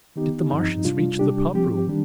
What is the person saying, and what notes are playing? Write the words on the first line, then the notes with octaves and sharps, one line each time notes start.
Did the Martian reach the pump room?
D#3 B3 D#4 G4
G2 F3 C4 D#4
C3 G3 D4 F4
C3 G3 D4 G4
F3 C4 G4
D#3 G3 D4